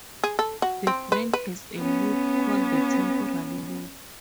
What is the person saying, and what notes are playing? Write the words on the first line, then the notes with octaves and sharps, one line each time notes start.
The brain has a lobe called the temporal lobe.
G#4
A4
F#4
C4
B4
B4
B3 C#4